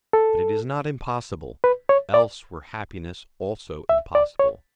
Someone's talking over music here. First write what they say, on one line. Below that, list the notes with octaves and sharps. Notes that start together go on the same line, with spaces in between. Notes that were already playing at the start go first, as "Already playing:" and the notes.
But it is not impossible: else were happiness also impossible.
A4
B4
C#5
D5
E5
D5
C#5